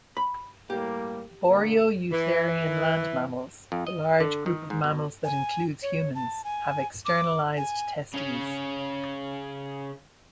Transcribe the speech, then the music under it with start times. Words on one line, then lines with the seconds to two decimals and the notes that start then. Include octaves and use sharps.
Boreoeutherian land mammals, the large group of mammals that includes humans, have externalized testes.
0.17 B5
0.70 A2 G3 A#3 G4
1.49 D3 G#3 A#3
2.12 E3
3.72 F2
3.87 D#5
4.20 D3
4.46 D#3
4.70 G#2
4.84 B2
5.24 G#5
5.82 C#5
6.15 A5
6.44 G#5
7.05 D6
7.57 G#5
8.14 C#3 C#4